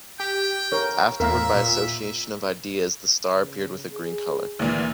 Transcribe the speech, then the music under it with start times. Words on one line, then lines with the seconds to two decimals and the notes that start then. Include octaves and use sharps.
Afterward by association of ideas, the star appeared with a green color.
0.20 G4 G5
0.72 A#4 C#5
1.20 E2 A2 A#4 E5 F5
1.55 A#2
3.36 C#3
3.92 G#4
4.59 D2 A#2 E3